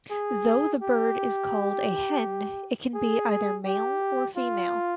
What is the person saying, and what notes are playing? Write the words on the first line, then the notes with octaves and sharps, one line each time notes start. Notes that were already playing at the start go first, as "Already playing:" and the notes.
Though the bird is called a "hen", it can be either male or female.
G#4
G4
G#4
G4
F4